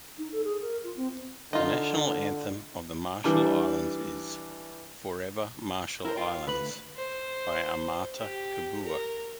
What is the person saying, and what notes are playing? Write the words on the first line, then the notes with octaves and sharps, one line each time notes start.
The national anthem of the Marshall Islands is "Forever Marshall Islands", by Amata Kabua.
D#4
A4
G#4
A#4
F4
C4
D3 D#4 F4
E3 G3 D4
E4 A#4 C5
F4 G5
D2 B4 B5
C5
G4
A#4